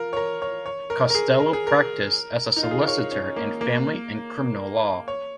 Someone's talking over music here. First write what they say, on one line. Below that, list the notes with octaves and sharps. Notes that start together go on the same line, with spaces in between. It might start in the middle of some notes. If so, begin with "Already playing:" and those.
Costello practised as a solicitor in family and criminal law.
Already playing: F4 A#4
C#5
A#4
C#5
C#5
A#4
A#4
G#4
A#4
G#4
A#4
D#4
F4
G#4
A#4
C#5
C#4
A#3
A#3
C#5